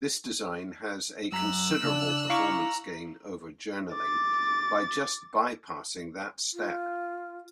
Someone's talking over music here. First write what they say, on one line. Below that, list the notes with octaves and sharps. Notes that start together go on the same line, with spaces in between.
This design has a considerable performance gain over journaling, by just bypassing that step.
F#2 A#5 E6 F#6
C#3 D4
E4 F5 A#5 C#6 D6
D6 A6
F4